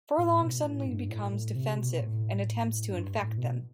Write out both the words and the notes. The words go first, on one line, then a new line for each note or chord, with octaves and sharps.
Furlong suddenly becomes defensive and attempts to infect them.
A2
B2
A2
G2
A2
A2
C3
B2
A2
G2
A2
B2